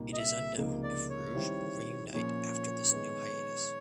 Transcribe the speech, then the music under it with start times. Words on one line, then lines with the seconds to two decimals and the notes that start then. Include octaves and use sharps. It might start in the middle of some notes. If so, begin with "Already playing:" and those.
It is unknown if Rouge will reunite after this new hiatus.
Already playing: C2 A#2 G3 A#3 D#4
0.13 D#5
0.18 E5
0.57 C#2 C3 F3 A#3 D#4
0.83 D5
1.10 C#5
1.35 D#3 G3 C4 E4
2.14 A#2 F3 A#3 C#4 C#5
2.92 D#3 G#3 B3